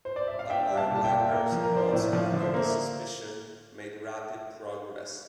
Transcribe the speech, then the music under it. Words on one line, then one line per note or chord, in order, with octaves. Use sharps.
A mind like hers, once opening to suspicion, made rapid progress.
C5
D5
E5
F5
D4 E5 G5
G3
F5 A5
A#2 A5
E5 G5
A#2
A#3
F3
A#4
D4 C5
A2 D5
E5
F3 D5 F5
D3
C5 E5
A#3